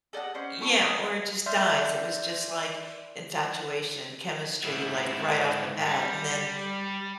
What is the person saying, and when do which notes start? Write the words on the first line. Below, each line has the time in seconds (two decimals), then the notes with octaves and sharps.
Yeah, or it just dies, it was just, like, infatuation, chemistry, like, right off the bat, and then
0.13 A4 D5 D#5 F#5
0.35 C#4 C5
0.61 E4 A4 C#6 D6
0.73 D#5
1.46 D5 E5 C6 F6 G6 C7
4.63 G#2 E4
5.87 G3